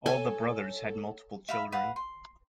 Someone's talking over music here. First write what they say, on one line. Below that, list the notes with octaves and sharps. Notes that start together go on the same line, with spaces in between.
All the brothers had multiple children.
A4 C#5 G#5
E5 F5 B5
B4 F5 F#5
C6